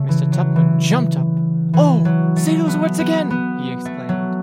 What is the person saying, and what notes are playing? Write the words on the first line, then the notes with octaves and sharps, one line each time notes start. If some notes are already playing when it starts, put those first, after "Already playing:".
Mr. Tupman jumped up — ‘Oh, say those words again!’ he exclaimed.
Already playing: C#3 A3
E3
F#3
E3
E3
F#3
A3
B3
B3
B3
A3
F#3